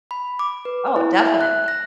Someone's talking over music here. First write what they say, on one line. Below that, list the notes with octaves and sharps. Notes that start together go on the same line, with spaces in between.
Oh, definitely.
B5
D6
B4
E4
E5
F#6
A#6